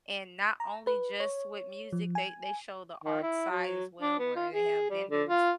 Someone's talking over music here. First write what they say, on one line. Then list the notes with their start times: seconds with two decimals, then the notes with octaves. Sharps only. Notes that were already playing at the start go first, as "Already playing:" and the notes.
and not only just with music, they they show the art side as well where they have vendors,
0.60 A#5
0.87 B4
1.20 C#5
1.92 F3
2.15 G#5
3.04 D#3
3.23 E4
3.50 F#3
4.02 D4
4.19 B3
4.36 F4
4.53 G#4
4.90 G3
5.09 D3
5.29 F4